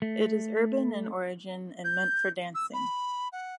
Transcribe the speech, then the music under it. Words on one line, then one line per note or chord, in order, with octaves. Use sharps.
It is urban in origin, and meant for dancing.
A3
G6
E6
B5
F#5